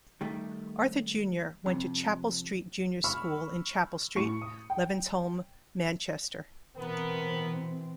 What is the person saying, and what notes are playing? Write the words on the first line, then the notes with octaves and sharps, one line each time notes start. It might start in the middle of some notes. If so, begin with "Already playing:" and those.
Arthur Junior went to Chapel Street Junior School in Chapel Street, Levenshulme, Manchester.
D#3 G3 A3
F2 C3
B5 C#6 E6 F6
A2 C#6 C#7
D#6
G5
B2 E3 B3 C4 A#4